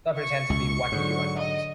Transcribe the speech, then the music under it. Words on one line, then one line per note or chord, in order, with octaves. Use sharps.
Don’t pretend to be what your are not.
C#6
C#2
G#2 D3 F#3
D#5